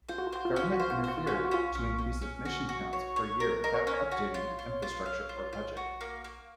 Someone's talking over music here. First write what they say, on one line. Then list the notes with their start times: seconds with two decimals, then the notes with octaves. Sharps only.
Government interfered to increase admission counts per year without updating the infrastructure or budget.
0.09 F4 C5
0.18 F#4
0.27 F4
0.33 F#4 C5
0.45 F4
0.54 C#4 F#4
0.63 F4
0.72 F#4
0.80 F4 C5
0.91 F#4
0.98 F4
1.04 F#4 C5
1.18 F4
1.26 C#4 F#4
1.35 F4
1.45 F#4
1.51 C#4 F4
1.75 C#4
1.98 C#4
2.22 C#4
2.45 F#4
2.69 F#4
2.93 C#5
3.16 C#5
3.40 A#4
3.64 A#4 D#5
3.74 C#5
3.83 C#4 C5
3.94 C#5
4.12 F#4
4.34 F4
4.59 F4
4.82 F4
5.06 F5
5.29 F4
5.53 F4
5.77 F#4
6.01 A#3
6.24 A#3